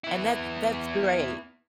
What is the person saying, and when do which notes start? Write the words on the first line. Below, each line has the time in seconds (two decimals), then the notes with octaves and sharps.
And that's that's great.
0.04 B3 E4